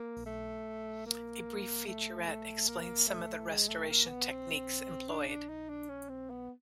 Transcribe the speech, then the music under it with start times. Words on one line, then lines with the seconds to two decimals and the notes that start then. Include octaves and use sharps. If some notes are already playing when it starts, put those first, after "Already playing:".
A brief featurette explains some of the restoration techniques employed.
Already playing: A#3
0.26 A3
1.06 A#3
1.87 A3
2.27 A3
2.68 A#3
3.08 A3
3.47 G#3
3.68 A3
3.89 A#3
4.08 B3
4.28 C4
5.09 D4
5.28 D4
5.49 D#4
5.69 D4
5.89 C#4
6.09 C4
6.30 B3